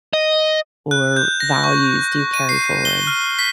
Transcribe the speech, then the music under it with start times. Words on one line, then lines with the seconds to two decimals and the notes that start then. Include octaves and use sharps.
or values do you carry forward?
0.13 D#5
0.91 F#6
1.16 G6
1.40 A#6
1.64 C#6
2.34 D#7
2.49 C7
2.85 G7
3.07 F6
3.39 B6